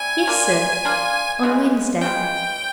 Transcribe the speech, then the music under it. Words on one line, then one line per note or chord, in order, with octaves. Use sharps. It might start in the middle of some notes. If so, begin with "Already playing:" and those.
"Yes, sir, on Wednesday."
Already playing: G3 C4 E4 G#5
A#3 D4 F4
A#3 D4 F4
C#3 E3 G#3
C#3 E3 G#3 G5